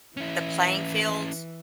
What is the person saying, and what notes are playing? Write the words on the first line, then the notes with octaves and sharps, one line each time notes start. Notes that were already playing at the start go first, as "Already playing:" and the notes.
the playing field,
E3 C#4 E4